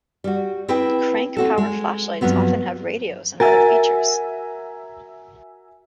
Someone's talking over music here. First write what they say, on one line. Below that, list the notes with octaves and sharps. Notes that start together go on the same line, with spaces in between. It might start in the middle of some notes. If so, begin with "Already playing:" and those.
Crank powered flashlights often have radios and other features.
G3 F#4
C4 E4 G#4 B4 G5
C4 F#4 A4
G#3
G2 F3 F#3 B3 C4
F#4 A#4 E5 G#5 A6